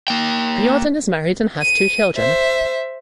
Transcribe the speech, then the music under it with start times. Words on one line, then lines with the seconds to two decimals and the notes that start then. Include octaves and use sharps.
Riordan is married and has two children.
0.08 A#3 G5
1.62 D#7
2.17 C5 E5